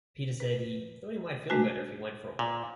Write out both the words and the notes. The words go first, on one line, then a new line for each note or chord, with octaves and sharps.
Peter said he thought he might feel better if he went for a walk.
B4
G#3 A3 D4 F#4 G#5
A#2